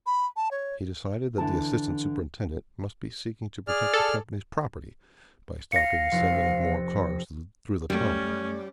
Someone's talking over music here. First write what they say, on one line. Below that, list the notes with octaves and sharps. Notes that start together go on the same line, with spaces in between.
He decided that the assistant superintendent must be seeking to protect the company's property by stopping the sending of more cars through the tunnel.
B5
A5
C#5
D3 E3 A5
G#4 D5 F6
A4
F5 A#6 C#7
F1 F2
F#2 G3 A3 C#4